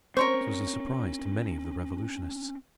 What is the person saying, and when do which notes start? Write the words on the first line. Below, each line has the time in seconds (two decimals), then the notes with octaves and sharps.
This was a surprise to many of the revolutionists.
0.17 C4 C#4 A#4 C5 C#5 C#6